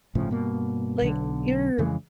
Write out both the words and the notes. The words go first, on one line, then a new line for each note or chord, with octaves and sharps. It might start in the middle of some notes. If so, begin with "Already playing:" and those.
like, you're
G1 A2 C#3 F3
G2 B2 A#3
B1 D3
F2 C#3 E3 G#3